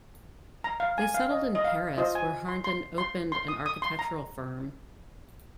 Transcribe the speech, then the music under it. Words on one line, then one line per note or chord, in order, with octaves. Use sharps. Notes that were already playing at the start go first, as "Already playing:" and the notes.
They settled in Paris, where Harnden opened an architectural firm.
A#5
F5
G#5
F5
D#5
D#5
F5
F4 C5 D#5
G#5
C6
C6
C6
C6
D#6
D#6
C6
A#5